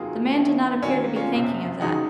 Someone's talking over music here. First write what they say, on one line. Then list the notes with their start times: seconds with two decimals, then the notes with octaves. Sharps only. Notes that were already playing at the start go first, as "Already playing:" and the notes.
The man did not appear to be thinking of that.
Already playing: F1 D#2 D#3 F#3 A#3 F4 G#4
0.34 F#2 D#3 A#3
0.83 D#2 D#3 F#3 A#3 C#4
1.16 C#4 F4
1.32 F#1 F2 C3
1.80 C#2 C#3 G#3 D#4 F#4